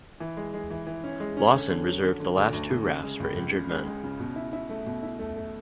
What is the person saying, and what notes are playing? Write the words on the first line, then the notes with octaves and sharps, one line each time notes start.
Lawson reserved the last two rafts for injured men.
E3
G#3
G#3
E3
E3
C#4
G#3
C#4
D3
D3
F#3
D3
D3
D2
D2
D2
C#3
G#3
C#2
C#2
C#3
G#3
G#3
C#3
B2
E4
E4
A3
B2
E4
A3
A3